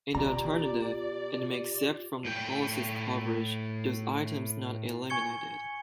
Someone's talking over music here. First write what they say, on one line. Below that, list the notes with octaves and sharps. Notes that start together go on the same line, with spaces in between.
In the alternative, it may except from the policy's coverage those items not eliminated.
B2 F4 G4 D5 A#5
A2 G5
G#5 C#6 G#6 C#7 G7